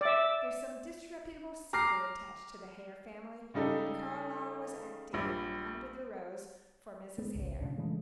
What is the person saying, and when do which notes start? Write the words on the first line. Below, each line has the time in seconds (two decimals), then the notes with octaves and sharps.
There's some disreputable secret attaching to the Hare family, and Carlyle was acting in it, under the rose, for Mrs. Hare.
0.01 D5 E5
1.73 A#5 D6 F6 A#6 C7
3.54 C#3 G3 D#4 A4
5.13 A#1 G3 B5
7.18 G#3 B3
7.34 G#1 C#2
7.61 A#2 C#3 D4
7.78 C#3 E3 G#3 A3